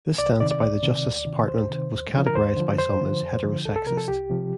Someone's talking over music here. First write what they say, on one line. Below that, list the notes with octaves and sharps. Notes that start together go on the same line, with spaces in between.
This stance by the Justice Department was categorized by some as heterosexist.
C2 D5
C3 D#3 D5
D5
C2
C3 D#3
D2
C3 D#3
D2 C5
C3 D#3
D#2
D3 F3
A#4
D#2 C5
D3 F3
F2 C5
D3 F3
F2
D3 F3
C2 A4
A4
C3 F3 A#4
A4
C2 G4
C3 F3